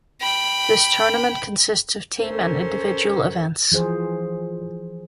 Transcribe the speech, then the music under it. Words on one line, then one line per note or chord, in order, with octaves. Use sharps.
This tournament consists of team and individual events.
G5 B5
C#4 A4 A#4 C5
E3 F3 G#4 C5